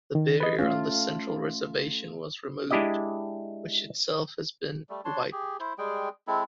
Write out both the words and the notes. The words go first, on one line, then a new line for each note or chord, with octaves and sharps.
The barrier on the central reservation was removed, which itself has been widened.
D#3
B4 D#5
A3 C#4 F4 F5
G#3 D4 E4 G4 D5 D#5
G3 A3
D4 C#5 A5 C6
G4 G#4
E4 C5
G3 G#3 G#4 G5
G#3 C4 E4 A4